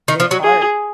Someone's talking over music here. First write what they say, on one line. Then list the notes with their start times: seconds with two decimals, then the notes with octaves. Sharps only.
It's hard.
0.08 D#3
0.20 F3
0.31 F#3
0.43 G#4